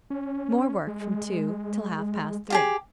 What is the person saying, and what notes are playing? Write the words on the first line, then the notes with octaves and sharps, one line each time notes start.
More work from two till half past three.
C#4
G#3
F4 G4 G#4